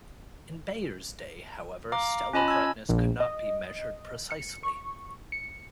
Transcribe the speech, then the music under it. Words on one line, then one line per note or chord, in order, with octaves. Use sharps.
In Bayer's day, however, stellar brightness could not be measured precisely.
F5 A#5 D6
C#4 F4 D#5 G#5 A5 B5
E6 G#6
A#1
D#5
C#7
C#6
C#7